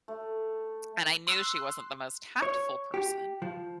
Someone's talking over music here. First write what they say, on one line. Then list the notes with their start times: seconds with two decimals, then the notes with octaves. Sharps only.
And I knew she wasn't the most tactful person.
0.08 A3
1.27 C6 E6 F#6
2.42 C#5
2.94 G4
3.42 F3